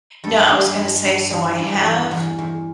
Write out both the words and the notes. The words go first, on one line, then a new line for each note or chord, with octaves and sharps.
No, I was gonna say, so I have
G2 A4
G#4
G2 G4
G#4
G2
G2
E3
G2
E2
E2
E2